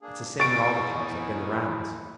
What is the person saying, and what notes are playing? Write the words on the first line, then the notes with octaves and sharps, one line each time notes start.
It's the same at all the clubs; I've been the rounds.
A#3 D4 G#4
B3 C#4 D#4 E4 G#4 C#6 A6 D7